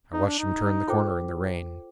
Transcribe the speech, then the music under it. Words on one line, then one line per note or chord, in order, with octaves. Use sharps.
I watched him turn the corner in the rain.
D#4
D4
D#4
F4 A4 C5 G5 D6